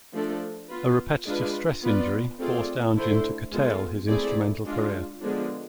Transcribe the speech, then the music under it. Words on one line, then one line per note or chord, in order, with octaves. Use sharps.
A repetitive stress injury forced Oundjian to curtail his instrumental career.
F3 A3 D4 A4
B3 F4 B4
G#3 D4 F4 B4
B3 F4 B4 D5
A3 C4 F4 G#4 D5
D3 A3 E4 A4 C5
G#3 B3 F4 A4
A3 C4 E4 G#4 D5
G#3 D4 F4
D3 F3 G#3 B3 D4